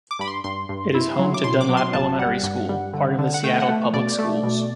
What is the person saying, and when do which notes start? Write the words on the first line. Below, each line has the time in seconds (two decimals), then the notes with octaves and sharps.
It is home to Dunlap Elementary School, part of the Seattle Public Schools.
0.11 D6
0.19 G2 B5
0.28 C6
0.44 G2 C6
0.69 G2
0.94 E4
1.19 F#3
1.34 D6
1.44 B2 C6
1.61 D6
1.69 F#3
1.77 C6
1.93 G1 A5
2.19 G3 F#5
2.43 G2
2.69 G3
2.93 D3
3.18 D3
3.34 F#5
3.44 A3 G5
3.60 F#5
3.68 A3
3.93 B2 D5
4.19 A3
4.43 B2